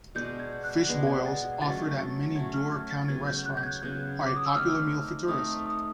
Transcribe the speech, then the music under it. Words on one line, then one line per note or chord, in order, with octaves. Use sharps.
Fish boils, offered at many Door County restaurants, are a popular meal for tourists.
B2 G#3 B3 D4 G6
G#6
F#6
B2 G#3 B3 D4
G#6
A6
F#3 A3 C#4 A6
A6
F#3 A3 C#4 G#6
F6
G#6
A6
C#3 F#3 B3 G#6
G6
F#6
G6
G#6
C#3 F#3 B3 F#6
D6
D#6
E6
A3 C4 D#4 F6
A3 C4 D#4 D#6
D#6